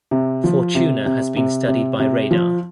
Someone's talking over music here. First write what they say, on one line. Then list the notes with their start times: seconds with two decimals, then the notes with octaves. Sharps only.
Fortuna has been studied by radar.
0.11 C3
0.44 F3
0.75 C3
1.06 C3
1.37 C3
1.68 C3
1.99 C3
2.31 F3